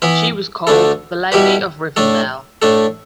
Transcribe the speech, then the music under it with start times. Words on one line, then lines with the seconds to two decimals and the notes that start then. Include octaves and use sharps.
She was called the Lady of Rivendell.
0.02 E3 B3 E4 B4
0.67 D2 D3 A3 D4 A4
1.32 B2 G3 E4 G4 B4
1.96 A2 A3 D4 A4
2.62 A2 A3 D4 A4